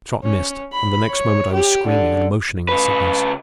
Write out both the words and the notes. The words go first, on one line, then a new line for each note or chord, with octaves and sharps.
The shot missed, and the next moment I was screaming and motioning the signals.
C#4
B5
C#5
G4
D3
C#3 B4